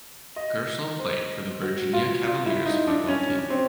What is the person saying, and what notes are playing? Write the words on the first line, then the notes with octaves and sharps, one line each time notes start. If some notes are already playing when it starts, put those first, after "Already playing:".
Gerstle played for the Virginia Cavaliers football team.
D#5
C5
F#4
F4
F4
E4
D#4
D4
C#4
C#4
C4